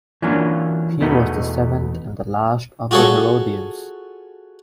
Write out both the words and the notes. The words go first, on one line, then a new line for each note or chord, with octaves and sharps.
He was the seventh and last of the Herodians.
E3 F#3 A#3 C#4 D4 F4
E2 B2 E3 A3 B3 D#4
F4 F#4 G#4 A4 C#5